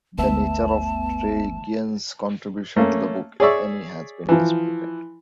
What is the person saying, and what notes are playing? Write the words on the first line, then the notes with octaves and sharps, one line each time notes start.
The nature of Tregian's contribution to the book, if any, has been disputed.
G1 D2 A3 B3 E5 A5
A3 A#3 C#4
G#4 C#5 D5 E5 C#6
E3 F3